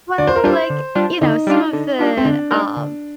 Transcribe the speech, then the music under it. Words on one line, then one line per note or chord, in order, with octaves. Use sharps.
Well, like, you know, some of the, um,
D3 D5
C5
A#4
G3 D4 F4 C5
D3
G3 D4 F4
D3 D#4
G3 D4 F4
D3
G3 D4 F4
C4
D3 D4
G3 A#3 D#4 A#4
D3